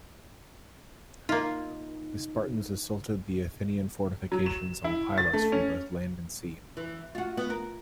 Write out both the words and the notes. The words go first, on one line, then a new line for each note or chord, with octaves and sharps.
The Spartans assaulted the Athenian fortifications on Pylos from both land and sea.
A#3 D#4 F4
F#3
E7
E4
A6
A3
C#4
E3
F4 F#4
B3
A#4